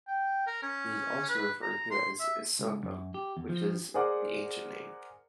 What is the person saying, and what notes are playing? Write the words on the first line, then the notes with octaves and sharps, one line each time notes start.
It is also referred to as Issoundun, which is the ancient name.
G5
A#4
C#4
B4
A#5
C6
E5
C#2
F#2
G4
E2
F3
G#4 A#4 C5 D5 F#5 D6